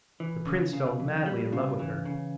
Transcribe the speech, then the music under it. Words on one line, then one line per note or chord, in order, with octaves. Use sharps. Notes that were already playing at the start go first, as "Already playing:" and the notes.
The prince fell madly in love with her.
E3
C#3
C#3
F2
G3
C#3
E3
C#3